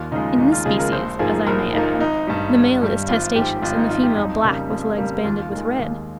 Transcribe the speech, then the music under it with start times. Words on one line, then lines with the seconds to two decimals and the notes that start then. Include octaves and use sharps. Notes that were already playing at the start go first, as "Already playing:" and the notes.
In this species, as I may add, the male is testaceous and the female black with legs banded with red.
Already playing: D#2 F4
0.11 C#3 F3 G#3 D#4
0.38 D#2 D#4
0.52 F4
0.65 C#3 F3 G#3 G#4
0.79 A#4
0.92 A#1 C5
1.19 G#2 F3 A#3 G#4
1.46 A#1 A#4
1.73 G#2 F3 A#3 D#4
2.00 G#1 D#4
2.27 G2 G3
2.54 G#1
2.82 G2 G3
3.08 G#1 F4
3.35 G#2 F3 G4
3.62 G#1 F4
3.77 D#4
3.89 G#2 F3 F4
4.03 G4
4.16 F2 D#4
4.44 C#3 G3 A#3
4.70 F2
4.98 C#3 G3 A#3
5.24 D#2 F4
5.51 D#3 G#3 F4
5.79 D#2